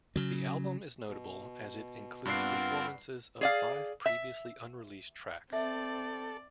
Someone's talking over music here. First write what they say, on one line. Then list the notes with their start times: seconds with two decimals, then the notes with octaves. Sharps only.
The album is notable as it includes performances of five previously unreleased tracks.
0.16 C#3 F#3
1.08 B2
2.25 G2 B3 C4 D4 F4 A#4 F#5 C7
3.41 G#4 D5 F5
4.06 E5
5.53 C4 A4 D5 E5 F#5